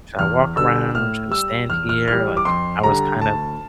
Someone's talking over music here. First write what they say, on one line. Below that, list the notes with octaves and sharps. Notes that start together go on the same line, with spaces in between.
should I walk around? Should I stand here?" Like, I was kind of
E2 F6
D3 G3 E6
A2 F6
G3 E6
E2 F6
F6
E3 G3 F6
D6
F2 C6
D3 G3 A#5
D2 A5